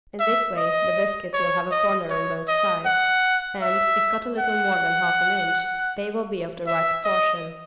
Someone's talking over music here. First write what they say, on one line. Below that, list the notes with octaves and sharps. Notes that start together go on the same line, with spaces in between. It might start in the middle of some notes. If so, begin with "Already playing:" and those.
In this way the biscuits will have a corner on both sides and, if cut a little more than half an inch, they will be of the right proportion.
E5
D#5
C#5
D#5
C#5
D#5
F#5
E5
F#5
E5
D#5